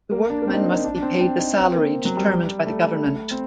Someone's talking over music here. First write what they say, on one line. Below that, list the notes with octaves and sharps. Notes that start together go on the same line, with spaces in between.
The workmen must be paid the salary determined by the government.
A#3
D4
A#3
C4
D#4
D4
D#4
D4
D4
C4
C4
D#4
C4
A#3
F#3
G3
G3
A3
C4